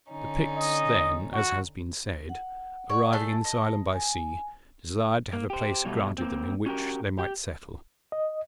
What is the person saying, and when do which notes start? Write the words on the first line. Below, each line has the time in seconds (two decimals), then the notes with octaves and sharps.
The Picts then, as has been said, arriving in this island by sea, desired to have a place granted them in which they might settle.
0.11 D3 C#4 D#4
0.56 D#5
1.33 F#4
2.29 F#5
2.89 C#5 D5 F#5
3.12 A3 G#4 A4 A5
3.45 D#5
3.93 G#5
5.33 A#3
5.50 G4 C5
5.85 B2 F#3 G3 A3
6.18 A#3 C4
6.66 C#4 F#4 G4 A#4
7.19 G4
8.12 D#5